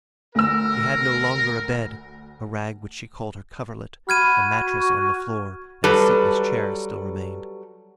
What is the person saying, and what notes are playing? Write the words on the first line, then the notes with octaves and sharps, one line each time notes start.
She had no longer a bed; a rag which she called her coverlet, a mattress on the floor, and a seatless chair still remained.
D2 A#4 E6
F#4 B5 F6 G#6 D#7
C#6
F#3 G3 A4 B4